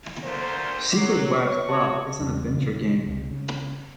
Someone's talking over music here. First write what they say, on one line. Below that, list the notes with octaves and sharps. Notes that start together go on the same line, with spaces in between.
Secret Wives' Club is an adventure game.
D2 A#3 C5 A#6
F#3 D6 C7
B4 C#5 C#6
F#4 C#5 A5
E2 G3 C4
A#2 G3 A3 A#3
D#1
C#2 C3
C#3